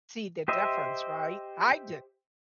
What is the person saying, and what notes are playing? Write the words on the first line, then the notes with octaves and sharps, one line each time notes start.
see the difference, right? I didn't.
G4 C5 D#5 E5